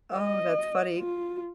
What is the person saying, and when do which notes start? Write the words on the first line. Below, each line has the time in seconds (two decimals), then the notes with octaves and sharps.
Oh, that's funny.
0.16 D#5
0.98 F4